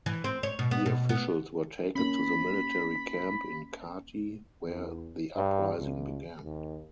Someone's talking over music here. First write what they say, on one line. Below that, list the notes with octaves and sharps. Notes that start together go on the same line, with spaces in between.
The officials were taken to the military camp in Kati where the uprising began.
E3
C4
C#5
B2
B3
B2
B3
A#3 C#4 B5
E2
G2
C#2
D#2